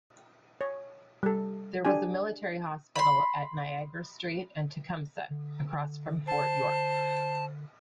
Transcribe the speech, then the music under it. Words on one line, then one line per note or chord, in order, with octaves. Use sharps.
There was a military hospital at Niagara Street and Tecumseh across from Fort York.
C#5
G3 A4
D4 G4 G#5
B5 C6
D3
C5 A5